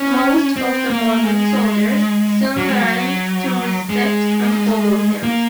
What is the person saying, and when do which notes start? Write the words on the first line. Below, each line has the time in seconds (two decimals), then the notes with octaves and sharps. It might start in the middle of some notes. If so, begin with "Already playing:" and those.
Most of the Mormon soldiers soon learned to respect and follow him.
Already playing: C#4
0.57 C4
0.90 A#3
1.23 G#3
2.57 F#3
2.69 G#3
2.81 F#3
3.89 G#3
5.23 A#3